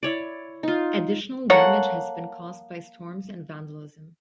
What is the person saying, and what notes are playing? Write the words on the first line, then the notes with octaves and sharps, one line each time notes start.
Additional damage has been caused by storms and vandalism.
E4 C#5 D5
D#4 F4
A#3 A4 C#5 F#5